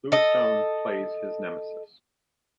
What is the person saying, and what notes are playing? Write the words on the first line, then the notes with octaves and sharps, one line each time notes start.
Lewis Stone plays his nemesis.
A4 D#5